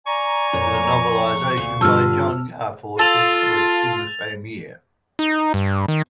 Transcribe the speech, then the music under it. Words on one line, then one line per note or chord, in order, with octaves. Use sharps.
The novelisation by John Garforth was published the same year.
D5 G#5 A#5 C#6
F2 A#2 C#5
D2 A#2
G2 D3 F4 A5 E6 F6
F4 A4 A6 F7
D#4
G2
D#3